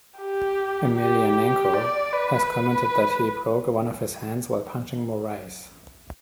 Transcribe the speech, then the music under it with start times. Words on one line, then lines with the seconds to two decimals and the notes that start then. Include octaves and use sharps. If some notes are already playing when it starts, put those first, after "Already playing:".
Emelianenko has commented that he broke one of his hands while punching Morais.
0.19 G4
0.96 G4
1.74 D5
2.13 B4
2.51 B4